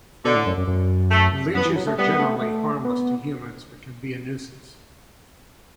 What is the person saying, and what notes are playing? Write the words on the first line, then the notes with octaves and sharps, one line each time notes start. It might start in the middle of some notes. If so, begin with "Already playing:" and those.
The leeches are generally harmless to humans but can be a nuisance.
B2 D3
A2
F#2
F#2
F#2
A3
F#2 B3
E3
F#3
A3
G3 B3
A3
A3
B3